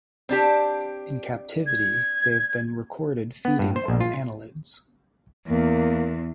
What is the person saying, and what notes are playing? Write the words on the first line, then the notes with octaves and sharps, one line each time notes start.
In captivity they have been recorded feeding on annelids.
C4 D4 G4
G#6
B3
G2
C5
A#1
F4
E2 A#3